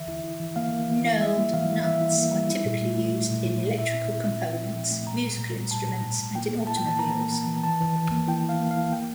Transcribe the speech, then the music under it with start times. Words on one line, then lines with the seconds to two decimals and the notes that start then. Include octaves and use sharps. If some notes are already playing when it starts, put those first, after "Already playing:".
Knurled nuts are typically used in electrical components, musical instruments and in automobiles.
Already playing: D3 E3 E5
0.08 E4
0.24 E4
0.40 E3
0.56 A#3 F5
0.72 A#3
0.88 E3
1.05 E4
1.21 G3 E5
1.37 A#3
1.54 E3 F5
1.69 E4
1.85 E3 E5
2.01 E4
2.18 A#3
2.33 G3
2.50 E4
2.65 A#2
2.82 A3
2.98 A3
3.14 A3
3.29 A#2
3.45 E4
3.63 A#2
3.78 E4 E5
3.94 C4
4.11 E4
4.26 C4
4.42 E4 G5
4.58 E4
4.74 F3
4.91 A3
5.06 A#2 A#5
5.23 G3
5.39 A#2
5.55 G3
5.71 A#2 A5
5.87 A#2
6.03 A#2
6.20 A#2
6.35 A#3 G5
6.52 A#3
6.67 E4 A5
6.77 G5
6.84 E3 A5
6.99 A#3 A#5
7.15 A#3
7.32 A#3
7.47 E3
7.64 E3 A5
7.80 E3
7.96 E3
8.11 A#3
8.28 E4 G5
8.44 E4
8.49 F5
8.60 A#3
8.71 F5
8.77 E4
8.92 A#3 G5